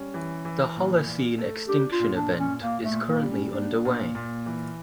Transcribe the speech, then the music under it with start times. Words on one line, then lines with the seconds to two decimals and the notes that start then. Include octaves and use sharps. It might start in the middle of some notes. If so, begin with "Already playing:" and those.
The Holocene extinction event is currently under way.
Already playing: G3 C#4
0.14 E3
0.45 E3
0.76 A#2
1.07 A#2
1.38 A3
1.68 D4 G4
1.92 F4
2.00 A#2
2.15 D4
2.31 A#2
2.38 C#4
2.61 A#2 A#3
2.84 A3
2.92 A#2
3.08 A#3
3.22 G3
3.31 C#4
3.53 A#3 D4
3.85 A#2
4.15 A#2
4.46 E3